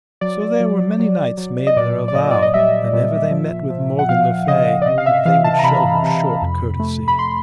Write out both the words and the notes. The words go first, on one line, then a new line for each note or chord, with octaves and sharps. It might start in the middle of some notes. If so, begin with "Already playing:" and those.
So there were many knights made their avow, an ever they met with Morgan le Fay, that they would show her short courtesy.
F#3 D5
F#3
F#3
F#3
D#5
A#2 D5
D5
A#2 D#5
D5
D#5
G3 E5
A#2
F3
F3
F#5
F3 F5
C#3 D#5
D5
C3 D#5
F5
E5
E3 F5
A5
A#5
C3 B5
C3
F2
A3
B5
C6